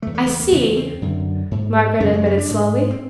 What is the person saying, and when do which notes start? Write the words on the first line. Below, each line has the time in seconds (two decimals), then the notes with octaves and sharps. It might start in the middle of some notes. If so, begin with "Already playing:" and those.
"I see," Margaret admitted slowly.
0.02 C#3 A3
0.06 E2
0.15 A3
0.27 A3
0.40 A#3
0.52 E2 C#3 B3
0.77 C4
1.02 F#2 D3
1.51 G#2
2.00 F#2 C#3 C#4
2.13 C#4
2.26 C#4
2.38 D4
2.50 G#2
2.91 C4